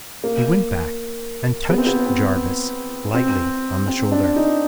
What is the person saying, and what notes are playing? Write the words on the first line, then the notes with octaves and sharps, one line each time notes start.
He went back and touched Jarvis lightly on the shoulder.
A#3
B3
C4
B3
C4
C4
C4
D4
D#4